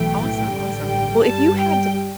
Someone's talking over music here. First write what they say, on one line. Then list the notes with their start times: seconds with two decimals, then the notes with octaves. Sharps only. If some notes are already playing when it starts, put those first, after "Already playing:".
Awesome, awesome. Well, if you had to
Already playing: B1 A2 E3 A3 G5
0.50 A1 G2 D3 G3
0.86 G5
1.22 G1 G2 G3 A5
1.58 G5